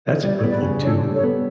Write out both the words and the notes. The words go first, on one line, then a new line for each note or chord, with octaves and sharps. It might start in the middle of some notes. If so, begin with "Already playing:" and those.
that's a good one too.
G3 D5
C#5
B3
B4 D5
C#3
D4 A4 C#5
G3
A4 C#5
B3